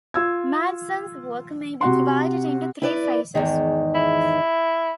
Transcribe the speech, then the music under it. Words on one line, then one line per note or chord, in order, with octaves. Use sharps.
Madsen's work may be divided into three phases.
F4 E6 G#6
C3 F#4 F#5 C6
E4 B4 D5
E2 G#2 D#3
E4